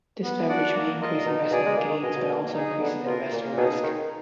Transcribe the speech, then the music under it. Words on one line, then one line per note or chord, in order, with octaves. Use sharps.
This leverage may increase investment gains but also increases investor risk.
B3
D4 F#4 D5 F#5
A#3
F4 A#4 D#5
A#2
B2 D#4
B2 G#4 D5 G#5
G#3
A#3 G#4
D#3
B2 D#5 G#5
B2
A#3
D#4 G#4
D3 B3
B2 F4 A#4
A#2 A#3
A#2
B2 D#4 G#4
D#3 D#4